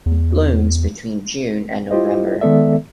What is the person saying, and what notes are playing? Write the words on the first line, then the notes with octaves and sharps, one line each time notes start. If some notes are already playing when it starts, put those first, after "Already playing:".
It blooms between June and November.
E2
E4 F4 G4 C5 D#5
D#3 G#3 B3 A4 D5 E5